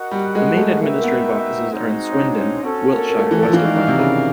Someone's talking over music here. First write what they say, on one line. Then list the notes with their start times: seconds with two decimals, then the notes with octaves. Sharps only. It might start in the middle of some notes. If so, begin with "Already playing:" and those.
The main administrative offices are in Swindon, Wiltshire, west of London.
Already playing: F#4 A#4 D#5 F#5
0.11 G3
0.35 G#3
0.57 A3
0.80 A#3 D#4 F#4 B4 E5 G5
0.98 A#3
1.03 B3
1.71 G#3 C4 D#4 F#4
2.12 C#4
2.16 D4
2.39 C#4
2.63 C4 C#4 F#4 A4
2.93 A#3
3.09 A#3
3.19 A3
3.31 E3
3.42 F3
3.53 E3 F#4 A#4 D5 F5
3.65 D#3
3.76 D#3
3.87 C3
3.99 C#3